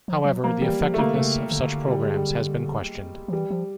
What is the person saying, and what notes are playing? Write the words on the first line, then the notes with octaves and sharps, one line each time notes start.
However, the effectiveness of such programs has been questioned.
F3
F#3
F3 A#3
E3 G3
F3
A3
D3 A#3
C#3 A3
D3
G3
G#3
G3
F3
E3 G3
F3